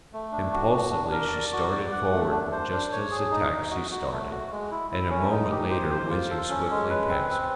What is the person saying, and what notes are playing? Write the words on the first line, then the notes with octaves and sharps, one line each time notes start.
Impulsively she started forward, just as the taxi started and a moment later whizzed swiftly past her.
A3
D4
F#4
F#4
D4
A#4
D5
F#4
D5
F#5
A3
D4
C5
D4
C#5
G#4
D#4
D#4
F#4
F#4
A3
F#4
G#3
E4
E4
C#4
D#4
G4
C5
C5
F4
A4
C#4
G#3
B4
C4
C4